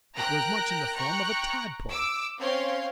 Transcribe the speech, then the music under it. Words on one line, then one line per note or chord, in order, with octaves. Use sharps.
It was much in the form of a tadpole!
A#4 G5 A#5 F#6 A#6 D7
G5 A#5 C#6 F#6 C#7
D6 E6
C4 C#4 C#5 F5 C6